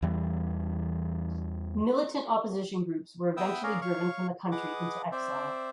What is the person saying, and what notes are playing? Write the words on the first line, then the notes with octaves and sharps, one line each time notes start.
Militant opposition groups were eventually driven from the country into exile.
E2 E3 G3
B3 B4 E5 G5 D#6 E6
C#4 G#4 A#4 C#5 D5 F5
C#5 F5 C#6
G#4 B4 D#5 F#5 D6
C4 C5 D5 E5